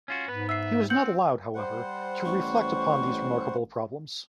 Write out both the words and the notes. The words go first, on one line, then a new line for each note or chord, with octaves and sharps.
He was not allowed, however, to reflect upon these remarkable problems.
C#4 F4 F#4
G#2 B3 B4
E5 E6 C7
C4 F#5 G6
G3 C5 F#5
A1 C#6